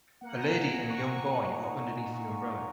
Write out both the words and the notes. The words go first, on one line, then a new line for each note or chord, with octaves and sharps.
A lady and young boy are underneath the umbrella.
A#3 F#5
A#5
G#5
A#2 F#5
C#6
A#2 C#6
D#4
A#2
A#2